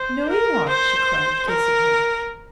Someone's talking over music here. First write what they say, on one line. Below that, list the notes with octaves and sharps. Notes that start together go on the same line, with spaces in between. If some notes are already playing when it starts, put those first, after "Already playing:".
"No, you aren't," she cried, kissing him.
Already playing: C5
A#4
C5
A#4